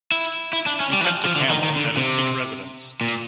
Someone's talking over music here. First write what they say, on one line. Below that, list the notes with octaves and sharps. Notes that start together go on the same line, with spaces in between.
He kept a camel at his peak residence.
E4
E4
D4
C#4
G3
E3
F3
F3
D3
D#3
D#3
D3
C3
A#2